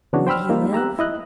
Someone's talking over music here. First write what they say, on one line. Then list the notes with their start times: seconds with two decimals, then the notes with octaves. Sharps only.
Would he live?
0.13 C#3 E3 B3 D4 F#4 C#5
0.27 C5 G5 B5 E6 F6
0.49 G3 A#3 D#4 F4
0.73 G4 A#5 E6 F#6
0.99 E4 D#5 F#6